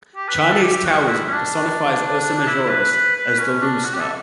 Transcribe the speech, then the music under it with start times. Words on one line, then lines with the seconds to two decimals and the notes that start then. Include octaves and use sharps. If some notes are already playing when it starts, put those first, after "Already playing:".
Chinese Taoism personifies Ursa Majoris as the Lu star.
0.16 G4
0.28 B4
0.39 B4
0.51 A4
0.62 G4
0.85 F#4
1.08 E4
1.27 C#4
1.32 D4
2.47 E4
2.69 B4
2.92 B4
3.16 B4
3.39 C#4
3.61 D4
3.85 F#4
3.93 G4
4.00 A4